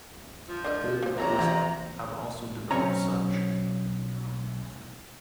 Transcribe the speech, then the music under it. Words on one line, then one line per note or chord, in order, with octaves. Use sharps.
Third parties have also developed such.
F3
D4 A#4 D#5
A#3 F#4 C5
F2 C3 E4 A4 C#5 A#5
D3 E3 B3
B1 F#3 C4 C#4 C#5 A#5